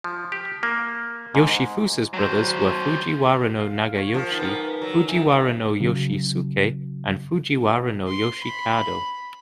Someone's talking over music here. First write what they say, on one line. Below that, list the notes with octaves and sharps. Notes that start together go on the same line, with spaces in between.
Yoshifusa's brothers were Fujiwara no Nagayoshi, Fujiwara no Yoshisuke and Fujiwara no Yoshikado.
F3
G4
A#3
G#2
F#3 C5
F5
C#5
D#3 F3
G#2 B3 A#5 D6
F#3
E3 D#4 A4
C#3 F#3
C6
B5